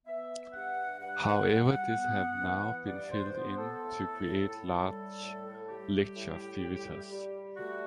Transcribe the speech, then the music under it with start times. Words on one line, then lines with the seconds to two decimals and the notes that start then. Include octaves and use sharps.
However, these have now been filled in to create large lecture theatres.
0.06 B3 E5
0.53 G2 F#5
1.00 G2 F#5
1.24 F#5
1.47 G3 F#5
1.71 F#5
1.95 B3
2.41 E3
2.88 G2 D5
3.12 C5
3.35 B3 C5
3.59 A4
3.82 A2
4.29 A2
4.75 G3 A4
5.22 A2
5.69 G3 G4
6.16 A2
6.62 G3
7.10 G3
7.57 A3 F#4